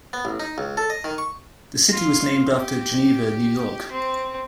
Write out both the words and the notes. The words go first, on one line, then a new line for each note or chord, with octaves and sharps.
The city was named after Geneva, New York.
B3
A1
D#4
C#2
A4
D#5
D#3
C#6
F4
G4
C4